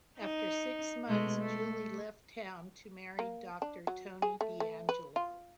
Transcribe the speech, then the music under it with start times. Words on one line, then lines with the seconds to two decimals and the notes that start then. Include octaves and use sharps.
After six months Julie left town to marry Doctor Tony DeAngelo.
0.19 D#4
1.07 B2 G#3 A3
1.39 A3
3.19 A#3
3.62 D4
3.87 F#3
4.22 G#4
4.41 A3
4.60 A3
4.89 B4
5.16 F4